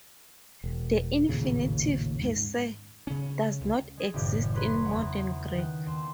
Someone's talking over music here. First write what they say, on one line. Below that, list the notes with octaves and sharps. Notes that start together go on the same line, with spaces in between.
The infinitive per se does not exist in Modern Greek.
E1
A1 D#2 A#2 C#3
G#2
C#3 C#4
C#2
G#3 G#4
F#1 F#2 A2 D#3 G4
B4 C#5 A#5 C6 C#6
E2 F#5
D#3 F#6
D#2 C6 E7